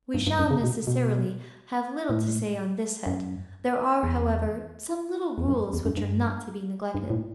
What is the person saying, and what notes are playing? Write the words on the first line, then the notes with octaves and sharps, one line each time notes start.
We shall, necessarily, have little to say on this head; there are, however, some little rules which are not to be neglected.
G2
G2
F#2
C#3
B2
B2
A2
F#2
E2
E2
F#2
E2
F#2
G2
G2
A2